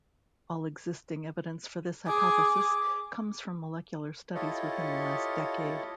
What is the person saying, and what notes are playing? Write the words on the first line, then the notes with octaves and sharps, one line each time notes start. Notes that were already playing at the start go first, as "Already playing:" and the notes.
All existing evidence for this hypothesis comes from molecular studies within the last decade.
G#4 D6
E4 F4 G4 A4 C#5 D#5